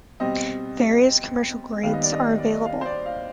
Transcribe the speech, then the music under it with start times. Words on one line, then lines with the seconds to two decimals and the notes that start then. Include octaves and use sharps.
Various commercial grades are available.
0.20 B2 G3 C4 D#5
1.83 D#2 D#3 G3 B3 F5
1.93 D#5
2.03 D5
2.12 D#5
2.38 D5
2.52 D#5
2.65 F5
2.81 C5
2.85 D5
3.06 F5